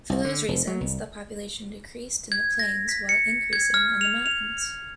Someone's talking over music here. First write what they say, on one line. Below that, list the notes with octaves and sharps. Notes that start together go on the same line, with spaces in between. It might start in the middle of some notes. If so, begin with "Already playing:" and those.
For those reasons, the population decreased in the plains, while increasing on the mountains.
C2
D3
F1
F#3
C2
G#6
A#6
B6
C#7
G#6
F6
F7
F7